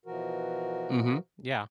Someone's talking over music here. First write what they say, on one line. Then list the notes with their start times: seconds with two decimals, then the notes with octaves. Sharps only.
Mhm. Yeah.
0.06 B2 E3 F3 F#4 A#4